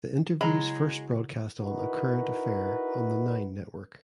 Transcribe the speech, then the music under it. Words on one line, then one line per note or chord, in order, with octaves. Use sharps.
The interviews first broadcast on "A Current Affair" on the Nine Network.
C#3 F#3 G#3 E4 A#5 B5
D#4 E4 F#4 A#4 B4